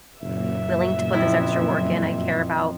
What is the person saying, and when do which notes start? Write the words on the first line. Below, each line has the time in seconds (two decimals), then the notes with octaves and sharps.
willing to put this extra work in. I care about
0.22 F#1 F#2 A#2 E5
1.13 F2 E4